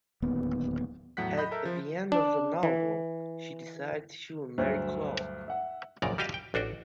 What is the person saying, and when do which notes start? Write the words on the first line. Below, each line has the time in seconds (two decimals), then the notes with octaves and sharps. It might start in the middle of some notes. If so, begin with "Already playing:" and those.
At the end of the novel, she decides she will marry Claude.
0.22 D1 D#2 B3
1.17 E2 A2 F#3 F#5 F#6 B6
1.37 D#5 B5 G6
1.51 A4 A#4 E5
1.65 F3
2.12 D4
2.63 E3
4.58 D2 G2 F#3 E5
5.48 E5 F#5
6.02 A#1 F#2 A#2 C#3 A#4 D5
6.18 G3 F#4 G4 D#5 F5
6.34 G5
6.54 A1 D4 F#4 G5